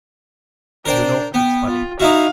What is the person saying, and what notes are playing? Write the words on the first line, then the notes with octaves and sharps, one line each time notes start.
You know, it's funny.
D4 A#4 C5 G5
B3 G5
F4
D#4 E4 F#4 F5